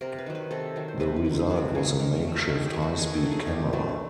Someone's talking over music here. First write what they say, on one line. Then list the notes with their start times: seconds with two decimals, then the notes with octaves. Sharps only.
The result was a makeshift high-speed camera.
0.01 C3 A#4
0.18 B4
0.26 D#3 F#3
0.35 B4
0.51 C3 A4
0.76 D#3 F#3
0.88 C5
1.00 C3 B4
1.16 B4
1.25 D#3 F#3
1.34 C5
1.50 C3 B4
1.75 D#3 F#3 G#4
2.00 D#3 A#4
2.16 A#4
2.25 F#3 A3
2.49 D#3 G#4
2.66 G4
2.73 F#3 A3
2.82 F#4
2.98 D#3 G#4
3.16 A4
3.23 F#3 A3
3.32 G#4
3.47 D#3 G4
3.73 F#3 A3